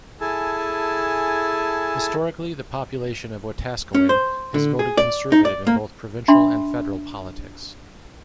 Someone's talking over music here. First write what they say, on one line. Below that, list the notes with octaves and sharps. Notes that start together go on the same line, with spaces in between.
Historically the population of Wetaskiwin has voted Conservative in both provincial and federal politics.
E4 G#4 A4 G#5 A5
C#4
C5
D3
G#4
D5
D#4
D5
A#3
D4 E5 B5 C6